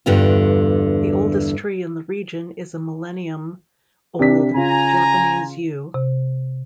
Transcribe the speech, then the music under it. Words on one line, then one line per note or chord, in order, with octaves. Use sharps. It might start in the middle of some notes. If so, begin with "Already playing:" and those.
The oldest tree in the region is a millennium-old Japanese yew.
E2 G2 D3 G3 F4
C3 D4 B6
C#3 F4 G#5 A#5
C3